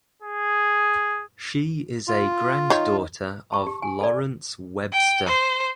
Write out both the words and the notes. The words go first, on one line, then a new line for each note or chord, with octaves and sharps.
She is a granddaughter of Lawrence Webster.
G#4
F4
D#3 C#5
A5 C#6
G4
G#5
A4 D5
G5
C5